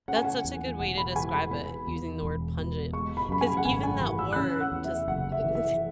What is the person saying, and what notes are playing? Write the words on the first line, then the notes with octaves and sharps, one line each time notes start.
That's such a good way to describe it, using the word pungent, 'cause even that word just n
C#4 F#5
G#5
F#5
E2
E1 F#5
B5
E3 G#5
B5
B3 B5
E2
E1
B2
G#3 C#6
B5
F#2 B5
G#5
F#5
G#1 G#5
G#5
E3 B5
E6
F#6
C#4 E6
F#5
E2
E5
F#1 F#5
E5
E3
E5